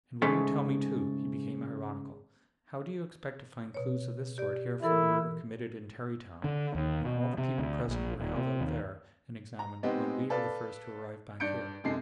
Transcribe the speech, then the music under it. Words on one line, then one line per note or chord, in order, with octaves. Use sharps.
And will you tell me, too"--he became ironical--"how do you expect to find clues of this sort here for a murder committed in Tarrytown when all the people present were held out there and examined, when we are the first to arrive back here?
G#2 C#3 G#3 A3
B2 C#5
G4 D5
E3 E4 A4 A#4
D3
D#2
B2
C3
D2
A#1
D#1
C3
D#2
A#5
G#3 B3 C4 D#4 G4
A4 B4 D5 F5 A5
G2 D4 G6 C#7 D7
F#2 C3 G#3 A4 C7